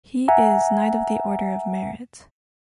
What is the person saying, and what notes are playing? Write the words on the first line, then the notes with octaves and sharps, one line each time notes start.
He is Knight of the Order of Merit.
E5 F#5 G#5 A#5